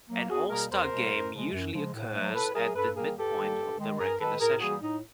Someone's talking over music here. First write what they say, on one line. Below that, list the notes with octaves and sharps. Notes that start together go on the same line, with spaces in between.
An all-star game usually occurs at the midpoint of the regular season.
F#3 A#3
E2 F#4 G#4
B2 G3 A#3 G#4 A#4
E2 A#4 C5
B2 G3 A#3
F#2
C#3 F3 G#3
F#2
C#3 F3 G#3
A2
F#3 A3
A2 A4 B4
F#3 A3 G#4 A#4
G2 A4 B4
D#3 G3 A#3 G#4 A#4
G2 G4 A4
D#3 G3 A#3
G2
D#3 G#3
G2 G#4 A#4
D#3 G#3 A4 B4
A2 G#4 A#4
E3 G3 A#3 F#4 G#4
A2 D#4